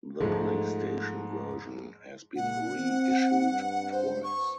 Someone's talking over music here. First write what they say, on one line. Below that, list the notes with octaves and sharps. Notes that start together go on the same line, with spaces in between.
The PlayStation version has been re-issued twice.
G#2 F3 G#3 A3
A#2 F#5
C4
G2
C5
C#6